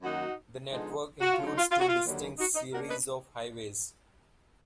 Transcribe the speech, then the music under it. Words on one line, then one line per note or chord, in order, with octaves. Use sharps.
The network includes two distinct series of highways.
F#2 D#3 A#3 D#4 F#4
D3 F3 G#3 B3 D#4
F#4
F4
D2 D3 F#3
D#4
F4
F4
F#4
F4
D#2 D3 F#3
D#4 F#4
D#4
B2 A#3 D4 F#4 A#4
B4 D#5